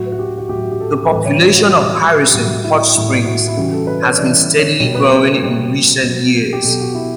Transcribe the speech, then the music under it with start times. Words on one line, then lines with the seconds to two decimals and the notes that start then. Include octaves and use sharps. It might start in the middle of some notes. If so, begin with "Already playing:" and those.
The population of Harrison Hot Springs has been steadily growing in recent years.
Already playing: A2 F#3 F#4
0.12 F#4
0.19 G4
0.38 F#4
0.49 A2 F#3 G4
0.63 F#4
0.72 G4
0.80 A4
1.07 A4
1.10 A2 E3 G3 B4
1.26 C#5
1.42 C#5
1.56 F#4
1.72 A2 E3 G3
2.28 G4
2.34 A2 G3 F#4
2.64 E4
2.95 A2 G3 E4
3.26 F#4
3.48 E4
3.57 C#3 E3 G3 F#4
3.73 A4
3.87 B4
4.03 C#5
4.18 C#3 E3 G3 D5
4.59 C#5
4.80 B2 G3 C#5
4.95 B4
5.10 B4
5.25 A4
5.42 B2 G3
6.03 B2 F#3
6.53 G4
6.64 B2 F#3 A4
6.80 F#4
6.95 E4